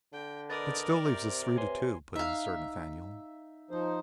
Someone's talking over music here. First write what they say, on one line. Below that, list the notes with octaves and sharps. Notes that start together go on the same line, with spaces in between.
"That still leaves us three to two!" put in Sir Nathaniel.
D3 G5
A#4 B4 D5 D#5 D#6 A6
C3 C5
B4 C#5 G#5 C6
D#4 E5 F5
F3 D#4 C5